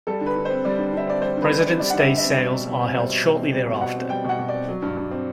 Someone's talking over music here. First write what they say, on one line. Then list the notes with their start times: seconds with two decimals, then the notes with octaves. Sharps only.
Presidents' Day sales are held shortly thereafter.
0.07 G3 A4
0.21 D3
0.26 B4
0.36 D3
0.45 C5
0.50 C4
0.65 G3 D5
0.79 D3
0.93 D3 E5
1.07 C4 D5
1.22 G3 C5
1.37 D3 B4
1.51 D3
1.60 C4 D5
1.79 G3 D5
1.90 D3 F#5
1.99 E5
2.09 D3
2.18 E5
2.23 C4
2.38 G3
2.51 B2
2.67 B2
2.80 C4
2.94 G3 C5
3.09 B2
3.23 B2
3.38 C4
3.53 G3
3.67 B2
3.81 B2 F#5
3.96 C4
4.10 G3 G5
4.24 B2 F#5
4.39 B2
4.49 D5
4.54 C4
4.68 F#3
4.82 G2
4.97 G2
5.11 C4